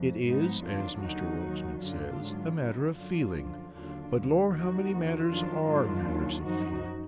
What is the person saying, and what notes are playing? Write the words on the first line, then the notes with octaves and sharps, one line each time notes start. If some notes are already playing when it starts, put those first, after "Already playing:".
It is, as Mr Rokesmith says, a matter of feeling, but Lor how many matters ARE matters of feeling!
Already playing: F2
G#2 F3 B3 D#4
F2 D#3 F#3 D4 F4
D#2 D3 F#3 D#4 F#4
D#2 D#3 F#3
F#2 D3 F#3 D4 F4
G#2 F#3
F#2 D3 F#3 B3 D#4
F#2 D3 F#3 D4 F4
F#2 D3 F3
D#2 D3 F#3 D4 F4
D2 D3 F#3
D#2 D#3 F#3 D#4 F#4
D#2 D3 F3
F2 D#3 F#3 D4 F4
G#2 D#3 F#3 D4 F4
D#2 D#3 F#3
F#2 F3 D#4 F#4